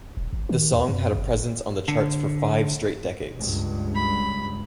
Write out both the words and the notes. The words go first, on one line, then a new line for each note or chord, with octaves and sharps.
The song had a presence on the charts for five straight decades.
D#1
G#1
D#3
D#2
F#2
G1
D3
C#2 G2
B5